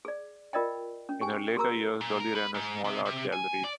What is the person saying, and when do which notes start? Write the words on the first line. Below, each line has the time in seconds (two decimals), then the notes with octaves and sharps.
In her later years, Dolly ran a small art gallery.
0.05 G#4 D5
0.53 F4 A#4 D5 D#5 G5
1.09 C#4
1.21 G4 G5 G#5
1.56 F#4 G#4 A#4 A#5 D6 E6
2.01 A#2
2.20 A#4
2.35 B4
2.54 G#2
2.84 C3
3.05 C3
3.32 G#5
3.64 D5